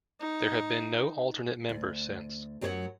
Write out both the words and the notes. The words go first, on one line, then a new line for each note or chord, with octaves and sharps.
There have been no alternate members since.
D#4
D2
F#2 F#3 G4 C5 C#5 F#5